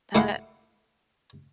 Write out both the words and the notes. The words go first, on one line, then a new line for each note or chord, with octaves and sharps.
That it
A3 E4 G4 F5 F#5